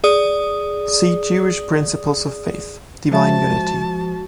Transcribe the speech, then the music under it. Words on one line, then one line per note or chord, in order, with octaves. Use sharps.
See Jewish principles of faith: Divine Unity.
G#4 D5 D#6
F3 G#3 F#4 E5 A5